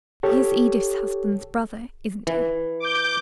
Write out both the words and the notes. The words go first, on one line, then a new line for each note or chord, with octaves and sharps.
He is Edith's husband's brother, isn't he?
G4 A4 C#5
E3
D6 G6